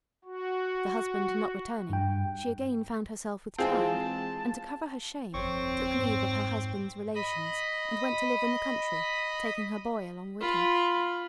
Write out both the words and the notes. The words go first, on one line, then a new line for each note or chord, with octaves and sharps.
The husband not returning, she again found herself with child, and to cover her shame, took leave of her husband's relations, and went to live in the country, taking her boy along with her.
F#4
G2 G5
E3 G#3 C4 F4 G#5 A5
G1 F2 C4 C#5 C#6
G#2
D#5 B5
F4 B5